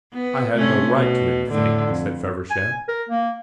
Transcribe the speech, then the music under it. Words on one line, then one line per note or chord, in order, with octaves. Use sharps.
"I had no right to anything," said Feversham.
B3
C3 A3 C#4
B2
A2 D3
F2
G#5
A#4
A#3